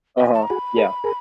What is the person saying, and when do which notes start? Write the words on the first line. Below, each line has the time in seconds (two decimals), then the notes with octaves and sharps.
Uh-huh. Yeah.
0.18 G5
0.26 G#5
0.34 A5
0.43 A#5
0.50 F#4 G#4 B5
0.77 G#4 A#4
1.04 G#4 A#4